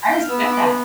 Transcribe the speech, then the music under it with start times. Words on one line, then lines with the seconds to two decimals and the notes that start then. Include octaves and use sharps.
I respect that.
0.12 G6
0.21 F6
0.28 B3 E6
0.45 E6
0.52 D6
0.65 B3